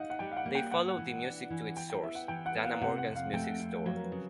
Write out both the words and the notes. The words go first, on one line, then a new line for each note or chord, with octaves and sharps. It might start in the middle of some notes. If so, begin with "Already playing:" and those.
They followed the music to its source, Dana Morgan's Music Store.
Already playing: D#4 F5 F#5
F#5
G3 G5
F5
F#5
A#3
G5
G#2 F#5
E3
D4
E3
B3 G5
G5
B3 E5
F#5
E3 G5
F#5
B3
F5
C3 F#5
F#5
F2
F5
A3 G5
F2
F#3 F5
A#4
B4
C#3